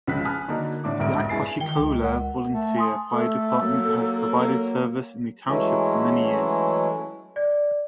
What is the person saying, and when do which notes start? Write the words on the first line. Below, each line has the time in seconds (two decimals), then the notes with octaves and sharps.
The Aquashicola Volunteer Fire Department has provided service in the township for many years.
0.07 C#2 C#3 F3 F4 F#6 B6
0.25 G#5 A5 B5 D#6 F6 F#6
0.48 D3 F#3 A#3 D4 D#4
0.84 A2 D3 D6
0.99 F1 B1 G#2 A#4 E5 D7
1.29 G2 G#3 E4 G#5 A6 C7
1.60 D#3 G5 G7
1.79 C#2
2.02 A#4 F#5
2.52 A3
2.76 G#5 C6 D#6
3.12 A3 A4
3.60 F#3 A#3
5.47 E3 F#3 G#3 A3 C#4 E4
7.36 D5